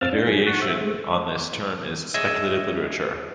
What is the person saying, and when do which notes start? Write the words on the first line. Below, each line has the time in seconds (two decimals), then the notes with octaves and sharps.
A variation on this term is "speculative literature".
0.01 C4 F5 E6 F6 A6
0.13 D4
0.27 F#3 G#4
0.46 F#5 A5 C#6
0.62 C5 E5
0.81 G#3 A3
2.14 G#4 C#5 D#5 E5